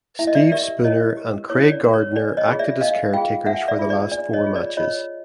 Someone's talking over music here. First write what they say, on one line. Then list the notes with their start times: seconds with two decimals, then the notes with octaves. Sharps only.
Steve Spooner and Craig Gardner acted as caretakers for the last four matches.
0.19 E4 E5
0.27 D#5
0.35 D5 E5
0.52 G4 A#4 D5 E5
0.84 E4 C#5 D#5
1.17 G4 A#4
1.50 E4 C#5
1.72 D5
1.83 G4 A#4
1.94 C#5
2.15 D4 D5
2.37 C#5 D#5
2.48 F4 G#4
2.59 D5 E5
2.81 D4 D#5 F5
3.13 F4 G#4 F5 G5
3.46 D4 E5 F#5
3.68 D5 E5
3.79 F4 G#4
3.90 D5
4.12 D4 D5
4.33 C#5 D#5
4.44 F4 G#4
4.55 D5
4.77 F4 C#5 D#5